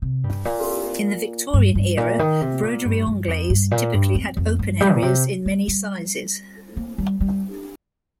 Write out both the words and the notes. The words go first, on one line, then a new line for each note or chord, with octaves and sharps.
In the Victorian era, broderie anglaise typically had open areas in many sizes.
C3
G2
A#2
G2
G2
A#2
D#3
C3
A#2
G2
G2
F2
G2
A#2
G2
F2
F2
G2
G3
A#2
C3
G3
G3
A#3
G3
G3